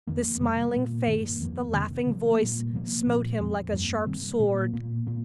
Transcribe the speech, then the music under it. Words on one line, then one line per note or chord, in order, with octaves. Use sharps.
The smiling face, the laughing voice, smote him like a sharp sword.
F2 D#3 A#3
C3 G3 A#3
A#2 A#3
G2 D#3 A#3
F2 F3 A#3
C3 D#3 C4
C3 F3 A#3
A#2 G3 A#3
C3 F3 A#3
A#2 F3 C4
F2 F3 C4
G2 G3 A#3
C3 D#3 G3 C4
A#2 A#3
A#2 A#3
A#2 A#3